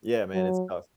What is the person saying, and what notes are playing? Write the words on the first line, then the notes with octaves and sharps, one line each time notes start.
yeah, man, it's tough.
F#3